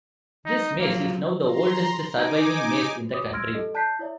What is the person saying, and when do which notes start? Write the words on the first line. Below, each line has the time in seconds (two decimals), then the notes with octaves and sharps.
This mace is now the oldest surviving mace in the country.
0.46 D#4
0.80 F#3 A#3 F4
1.46 A#5 C6
2.12 D#4 G#5 D6
3.10 F#4 C#5 D6 D#6
3.33 C6 E6 F6 G#6 A#6 D7
3.54 G4 A4 D#5
3.74 D5 A5 F#6 G6 B6 C7
3.99 E4 C#5 D5 E5